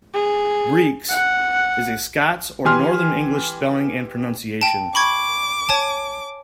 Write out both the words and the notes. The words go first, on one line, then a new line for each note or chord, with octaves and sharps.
"Breeks" is a Scots or northern English spelling and pronunciation.
G#4
F#5
E3 G4 G#5 C6 F6
G5 A5
B5 C#6 D6 G#6
C#5 G#5 A5